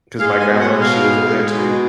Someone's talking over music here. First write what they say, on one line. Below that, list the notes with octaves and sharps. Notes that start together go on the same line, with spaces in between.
'cause my grandma, she lives over there too,
G#3 F5
G#5
B2
F#5
B2
F5
G#3
G#3
B2